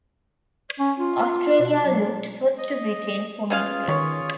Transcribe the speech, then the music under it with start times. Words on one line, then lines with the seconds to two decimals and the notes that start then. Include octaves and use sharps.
Australia looked first to Britain for migrants.
0.80 C#4
1.00 F4
1.60 B2
1.84 F#3
2.58 D#5
3.50 B2 C#4 F4 G#4 F5
3.88 D#3 C#5